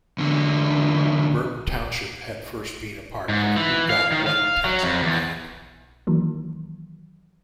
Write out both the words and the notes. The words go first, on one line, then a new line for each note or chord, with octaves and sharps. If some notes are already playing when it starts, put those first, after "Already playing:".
Burton Township had first been a part of who got what taxable land.
E2 D3
G#2
E3
F5
D#3
F5
F#3
F2
E2
D#3 E3 F#3 A#3